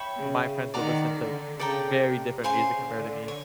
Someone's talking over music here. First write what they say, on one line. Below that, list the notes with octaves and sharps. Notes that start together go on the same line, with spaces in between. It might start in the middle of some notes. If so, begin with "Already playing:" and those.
my friends would listen to very different music compared to me.
Already playing: C#5 E5 G5 B5
C#3
D#3 D5 F#5 A#5
D3
C#3 A4 D5 G5 A#5
C3
C#3 C5 F5 G#5 C6
D3
C#5